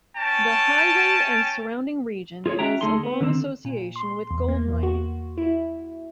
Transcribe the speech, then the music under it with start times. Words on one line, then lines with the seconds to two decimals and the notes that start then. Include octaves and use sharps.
The highway and surrounding region has a long association with gold mining.
0.16 C#4 G5 A5
2.46 F4 G#4 B4 C#5
2.59 C#4 F#4 E5 G5 A#5
2.81 D2 A3 D#4 G#4 A4 C6
3.03 B3
3.20 D3 D#3 A#3 C4
3.65 A#2
3.96 C6
4.31 E2
4.48 A#3
4.69 E2
4.83 F#4
5.38 E4